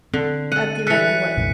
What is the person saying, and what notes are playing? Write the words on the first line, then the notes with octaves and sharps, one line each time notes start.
of doing what
D3 C4
A4 F#5 D#7
E3 A4 F#6 B6 C#7
B1 F2 A2